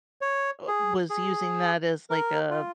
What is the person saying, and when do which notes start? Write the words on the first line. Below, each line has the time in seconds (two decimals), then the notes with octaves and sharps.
uh was using that as, like, a
0.21 C#5
0.68 G#4
1.10 G#4
2.10 A#4
2.51 F4